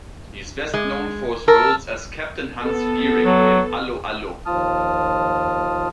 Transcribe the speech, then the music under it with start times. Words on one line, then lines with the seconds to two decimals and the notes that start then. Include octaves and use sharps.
He is best known for his roles as Captain Hans Geering in 'Allo 'Allo!
0.74 G#3
1.48 A#4 A5 E6 F6
2.62 B3 A4
3.23 F#3
4.46 D#2 F3 F4 A5 D#6 F6